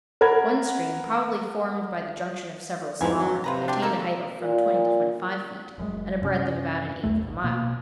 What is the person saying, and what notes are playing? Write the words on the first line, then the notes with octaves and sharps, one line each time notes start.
One stream, probably formed by the junction of several smaller, attained a height of from twenty to twenty-five feet, and a breadth of about an eighth of a mile.
A#4 F#5 B5 G#6
F2 G#2 E3 F3 G#5
F#3
C3 F4 B4 A#5
C4 D4 G4
A#3 D#4 A4 A#4
A#2
F#1 F#2 B2 G#3
F#2 C3 C#4
B1 E2 A3
A1
B2 A#3